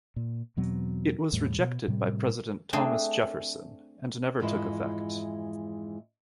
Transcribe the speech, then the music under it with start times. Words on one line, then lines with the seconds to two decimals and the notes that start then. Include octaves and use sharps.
It was rejected by President Thomas Jefferson and never took effect.
0.16 A#2
0.57 E2 B2 F#3 C4
1.33 E2 A2 G3
1.59 B2
1.88 A2 C3 G3
2.73 A3 C4 D4 G#4
4.40 F2 G#2 E3 G#3 E4